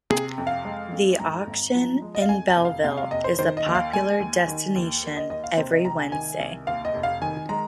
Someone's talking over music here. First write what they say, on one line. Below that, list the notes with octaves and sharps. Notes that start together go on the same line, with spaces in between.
The auction in Belleville is a popular destination every Wednesday.
C3 G#4
F2
F5
G#3
F2
G#2 A#5
G#1
F3
G#3
D#5
F5
F2 G#5
G#5
F1
F5
C3 F5
F5
F1 D#5
C5
D#3 C5
D#5
D#2
F5
G#3 G#5
D#2
D#3
D#2
A#3
D#5
D#2 D#5
F5
C3 C5
D#5
C2 A#5
G#5
D#3 G#5
C2
D#2 F5
D#5
F1
F5
D#3 G#5
G#3 A#5